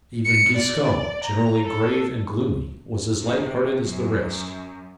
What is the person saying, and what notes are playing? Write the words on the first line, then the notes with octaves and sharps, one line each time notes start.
Even Giscon, generally grave and gloomy, was as light hearted as the rest.
C#7
D5
A#5
A4
C3
F#2